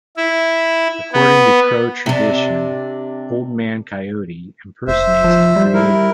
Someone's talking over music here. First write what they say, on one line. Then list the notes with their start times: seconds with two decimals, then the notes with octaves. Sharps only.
According to Crow tradition, Old Man Coyote impersonates the Creator.
0.17 E4
1.13 B3
2.06 C3 D4
4.88 F1 C5 E5
5.24 F3
5.56 G3
5.74 E4 A#4